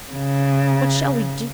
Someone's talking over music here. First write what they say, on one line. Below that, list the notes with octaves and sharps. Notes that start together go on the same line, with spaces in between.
What shall we do?
C#3